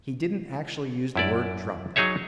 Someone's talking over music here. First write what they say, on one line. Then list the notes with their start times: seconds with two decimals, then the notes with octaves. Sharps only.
He didn't actually use the word 'drunk.'...
1.16 F#2 E4 D5
1.96 F#3 D#4 G#4 C#5 E5